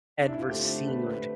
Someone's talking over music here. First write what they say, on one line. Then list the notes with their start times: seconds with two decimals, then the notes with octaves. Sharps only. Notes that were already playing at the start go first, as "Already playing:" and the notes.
and received
0.19 D4
0.28 E4
0.38 F4
0.49 D3 A3 C4 G4
0.87 B4
1.06 B4